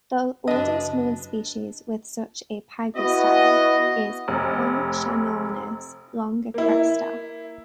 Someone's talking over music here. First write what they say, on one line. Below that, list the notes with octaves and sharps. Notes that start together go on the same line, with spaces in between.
The oldest known species with such a pygostyle is "Hongshanornis longicresta".
F#1 D4 B4 D#5
B3 E4 F#4 D#5
F1
A#3 E4